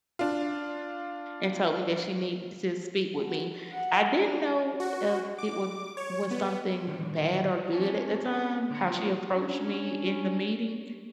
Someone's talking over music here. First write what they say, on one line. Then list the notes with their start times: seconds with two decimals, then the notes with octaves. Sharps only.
and told me that she needed to speak with me. I didn't know if it would was something bad or good at the time, how she approached me in the meeting,
0.19 D4 F4
3.25 F#4
3.73 F#5
4.15 D4
4.80 F#4
5.38 D6
5.97 C#5
6.31 B3
6.87 D3 D#3 G3
7.73 C4 C#4 C#5 G#5 A5
8.70 D3 F#5
8.87 A#3 D4 F4 F#4
9.36 C#4 D4